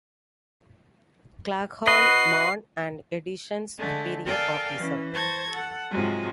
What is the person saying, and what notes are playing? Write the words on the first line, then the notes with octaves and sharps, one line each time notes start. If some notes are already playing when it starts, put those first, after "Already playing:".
Claghorn, Mann and Edison's superior officer.
F#4 B4 D#5 C7
D3 G#3 A3
A4 A#4 D5 F5 G5 G#5
E3 C#4
C5 A5 C#6 G#6 A#6
A4 F#5
G#2 C3 F3 F#3 G#3